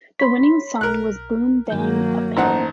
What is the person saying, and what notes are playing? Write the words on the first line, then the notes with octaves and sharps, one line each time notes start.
The winning song was Boom Bang A Bang.
C#5 B5 C6 B6
B1 A#4 F#6
G2 D#3 F#3 A#3 G6
A1 D#4 C5 F#5 A#5